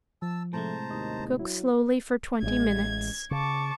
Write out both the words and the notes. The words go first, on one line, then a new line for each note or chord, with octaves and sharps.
Cook slowly for twenty minutes.
F3 A5 E6
A2 C3 G#3 A3 C5 A5 A#5
D#2 D#5
F#3 E4
A1 G#3 G#6
C#3 A5 C#6 D6